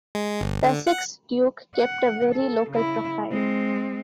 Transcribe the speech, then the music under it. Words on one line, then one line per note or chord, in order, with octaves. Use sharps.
The sixth duke kept a very local profile.
G#3
G1
D3
F#5
F#5
A4
C#3 E4
G#3 C4